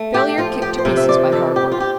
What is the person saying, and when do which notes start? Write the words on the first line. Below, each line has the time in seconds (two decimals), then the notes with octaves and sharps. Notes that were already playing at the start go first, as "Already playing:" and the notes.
Failure kicked to pieces by hard work.
Already playing: A3
0.14 G4
0.38 F3 F4
0.62 G4
0.78 C5
0.85 C3 A#4
0.97 E5
1.09 D5
1.32 F2 A4
1.56 G4
1.72 F4
1.80 G4